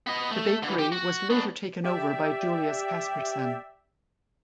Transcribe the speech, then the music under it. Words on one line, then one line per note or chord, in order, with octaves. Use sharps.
The bakery was later taken over by Julius Caspersen.
B3 D#5
A3
D3 E3
G4
F#4
B3 D4
G4 D5 E5